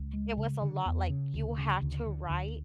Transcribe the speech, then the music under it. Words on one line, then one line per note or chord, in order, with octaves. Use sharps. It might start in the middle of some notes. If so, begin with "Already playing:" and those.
it was a lot, like, you had to write
Already playing: C#2
G#3
C#3
D3
E2
C#3
D2
C#3
D2
D3
D2